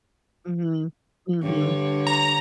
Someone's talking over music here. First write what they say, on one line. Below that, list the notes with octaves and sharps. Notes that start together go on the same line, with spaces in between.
Mhm, mhm.
G2 D3 C#5
A#5